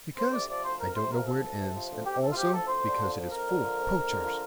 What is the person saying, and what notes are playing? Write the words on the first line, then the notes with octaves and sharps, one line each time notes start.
"Because I don't know where it ends; and, also, because it is full of poachers."
D2 C5
C3 D5
F3 D5
D2 C5
D2 A#4
C3 C5
F3 A#4
D2 A4
D2
C3
F3
D2
D2 G4
C3 A4
F4
F3 G4
D2 A4
F2 C5
D3
F3
F2
F2 A#4
D3
F3
F2
F2
D3
F3